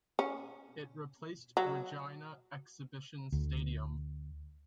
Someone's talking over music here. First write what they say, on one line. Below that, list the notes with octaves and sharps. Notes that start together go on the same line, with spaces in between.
It replaced Regina Exhibition Stadium.
C#4
F#3
D2